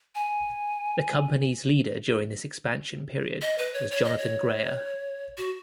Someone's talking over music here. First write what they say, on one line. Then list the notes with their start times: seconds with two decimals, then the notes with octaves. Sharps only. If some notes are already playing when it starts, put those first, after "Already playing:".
The company's leader during this expansion period was Jonathan Grayer.
0.15 G#5
3.41 D#5
3.58 B4
3.74 C#5
3.91 C#5
4.04 D#5
4.18 C#5
5.37 F#4